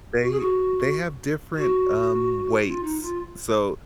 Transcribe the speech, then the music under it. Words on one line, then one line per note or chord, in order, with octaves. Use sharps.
They they have different, um, weights, so
F#4
G#4
F#4
F#4
F4
D#4
F4